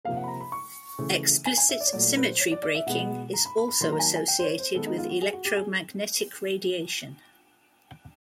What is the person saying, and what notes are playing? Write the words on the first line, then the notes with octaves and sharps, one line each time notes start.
Explicit symmetry breaking is also associated with electromagnetic radiation.
C3 F3 A#3 F5
F#5
B5
A#5
B5
C#6
C#3 E3 A3
G#5
G#5
E5
D5
C#5
A#2 F#3 A3 D5
B4
C5
C#5
D5
D5
E5
B2 G#3 B3 F#5
A#5
B5
B5
B5
D#3 F#3 A#3 C6
A#5
G#5
A5
G#5
G5
C5
C#5
C5
D#3 G#3 B3 A4
D#4
F4
F#4
G#4
F#4
G4
G#4